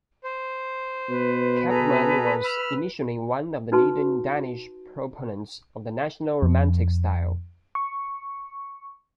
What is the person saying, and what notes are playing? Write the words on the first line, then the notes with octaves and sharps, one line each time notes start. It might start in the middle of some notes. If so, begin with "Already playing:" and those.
Kampmann was initially one of the leading Danish proponents of the national romantic style.
C5
B2 B4
G#4 A4 A#5
B5 E6 F6
D#4 F#4 B4 A5 C6
F2
C#6